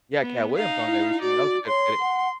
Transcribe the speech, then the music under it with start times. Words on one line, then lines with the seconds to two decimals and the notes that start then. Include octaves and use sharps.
He had Katt Williams on there recently, that was a good good e
0.21 B3
0.56 D#4 F5
0.87 E4
1.22 F#4 D5
1.68 C#5 C6
2.01 F#5